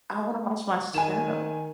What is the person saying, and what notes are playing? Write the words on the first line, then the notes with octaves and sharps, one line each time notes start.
I wanna watch my show.
D#3 G#5 E7